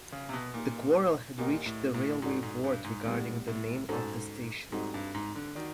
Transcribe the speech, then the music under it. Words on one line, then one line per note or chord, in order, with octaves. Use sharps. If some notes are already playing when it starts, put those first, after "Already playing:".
The quarrel had reached the Railway Board regarding the name of the station.
Already playing: F#4
C#3
C3
B2
A#2 A#3 D#4 G4
A#2 D4 G4 A#4 D#5 F#5
A2
A2
G#2 D4 F#4 A4 D5
G#2
G2
G#2
A2 G3 B3 D4
A2
G#2 C#4 F#4 A4 C5
G#2 G3 C4 D#4 F#4 A4
G2
G#2
D3
D#3 F#4 A#4 D5